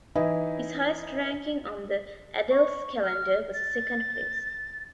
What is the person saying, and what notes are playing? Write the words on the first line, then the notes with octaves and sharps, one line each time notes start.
His highest ranking on the Adelskalender was a second place.
E3 D#4 E4
C#6
F6
A6